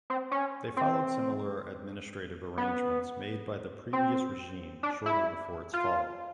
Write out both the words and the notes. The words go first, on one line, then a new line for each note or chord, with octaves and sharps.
They followed similar administrative arrangements made by the previous regime shortly before its fall.
C4
C#4
C4
B3
C4
D4
E4
F4